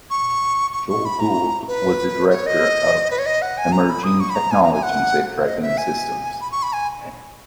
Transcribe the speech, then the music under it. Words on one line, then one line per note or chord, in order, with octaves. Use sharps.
Joel Gould was the director of emerging technologies at Dragon Systems.
C#6
C#6
C#6
B5
A#5
B4
C#5
D#5
B4
C#5
D#5
F#5
G#5
A#5
B5
D#6
C#6
B5
A#5
G#5
A#5
G#5
F#5
D#5
E5
G#5
B5
C#6
B5
G#5